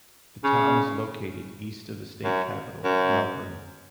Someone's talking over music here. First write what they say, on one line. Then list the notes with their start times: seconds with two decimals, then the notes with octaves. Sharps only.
The town is located east of the state capital, Melbourne.
0.44 C#3
2.24 F#2
2.83 F#2